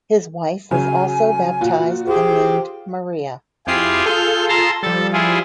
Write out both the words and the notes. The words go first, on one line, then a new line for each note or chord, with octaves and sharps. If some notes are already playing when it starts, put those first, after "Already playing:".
His wife was also baptised and named "Maria".
C#3 F#3 G#5
A#2 F4 F#4
F4 G4 G#4 C5
F2 E4 F4 G4 G#4 C7
F4 G#4 A4 F6 G6
A5 A#5 C6
F3 G3 A4 A5
E4 F4 G#4